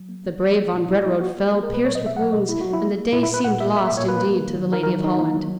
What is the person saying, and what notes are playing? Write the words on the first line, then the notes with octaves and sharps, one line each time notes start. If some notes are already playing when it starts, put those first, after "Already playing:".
The brave von Brederode fell pierced with wounds, and the day seemed lost, indeed, to the Lady of Holland.
Already playing: F#3
A#3
A#3
A#3
A#3
A#2
A#3 E4
A#3 E4
A#3 F#4
A#3
A#3 G#4
A#4
A#2 B4
F#3 C#5
D#5
B2
E5
F#3 F#5
B2 D#5
A#3 E4
F#3 F#4
E4
A#3
A#3
A#2 E4
E4
A#2
B4
A#2 F#5
A#3 E5
A#3 E5
E5
A#2 C#5
A#3 B4
A#3
D#3
F#3
D#3 A#4
A#4
F#3
D#3 D#4
A#3
F#3